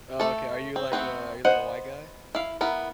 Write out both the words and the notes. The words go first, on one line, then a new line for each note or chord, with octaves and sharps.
Oh, okay. Are you like a are you like a white guy?
A3 A4
C4
A3 B3 C4 B4
B3 C5 D#5 F#5
E4 F5
B3 E4 A#4